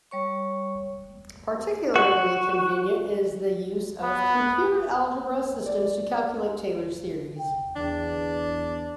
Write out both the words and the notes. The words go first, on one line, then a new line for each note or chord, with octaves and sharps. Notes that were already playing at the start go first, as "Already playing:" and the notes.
Particularly convenient is the use of computer algebra systems to calculate Taylor series.
G3 C#5 C#6
F#4
B3
D5
G5
E2 D4